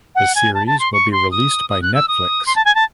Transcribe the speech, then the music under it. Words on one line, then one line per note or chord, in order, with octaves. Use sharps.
The series will be released by Netflix.
F#5
G#5
A5
A5
C6
C#6
C6
D#6
D#6
F#6
E6
D#6
C6
A5
G#5
A5